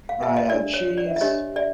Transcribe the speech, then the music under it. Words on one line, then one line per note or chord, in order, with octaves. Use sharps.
I add cheese.
F5
E5
D#5
D4 G4 A#4 D5
C#5
D5
E5
D4 G4 A#4 C#5 D#5
D5 E5